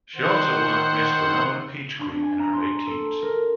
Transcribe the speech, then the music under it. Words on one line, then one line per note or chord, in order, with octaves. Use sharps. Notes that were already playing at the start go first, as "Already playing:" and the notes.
She also won Miss Winona Peach Queen in her late teens.
D#3 C5 F#5
D4
G#5
A#5
C6
A4
A#4